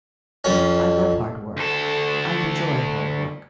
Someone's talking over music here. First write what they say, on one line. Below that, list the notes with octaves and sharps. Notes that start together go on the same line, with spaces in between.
I love hard work; I enjoy hard work.
F2 C#4
D2 A4